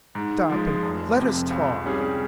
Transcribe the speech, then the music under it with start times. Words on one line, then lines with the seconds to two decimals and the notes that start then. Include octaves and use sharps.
"Stop, and let us talk."
0.15 G#2
0.50 F3 G#3
0.83 F1
1.17 F2 C3
1.50 C#2
1.84 C3 G3 C#4 G#4